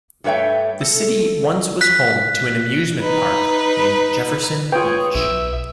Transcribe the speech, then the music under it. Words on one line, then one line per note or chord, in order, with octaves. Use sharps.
The city once was home to an amusement park named Jefferson Beach.
G2 A3 B4 C#5 E5 G5
A4
F#6 B6
D#4 B4
F4 G#4 B4 C#5 G5
B1 E5